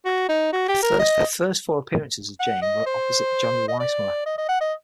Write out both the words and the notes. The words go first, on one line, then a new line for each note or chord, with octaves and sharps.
Her first four appearances as Jane were opposite Johnny Weissmuller.
F#4
D#4
F#4
G4
A#4
D#5
F#5
D#5
C5
D#5
D5
D#5
D#5
F#5
D#5